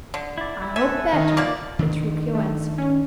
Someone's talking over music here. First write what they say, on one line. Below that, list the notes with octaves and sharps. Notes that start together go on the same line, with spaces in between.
"I hope, better," Petruchio answered.
D3
E4 D5
E4
F#4 A4 E5 G#5
D#3
B2 A#3 F4 D5 D6
D#3 D4
A3
C#4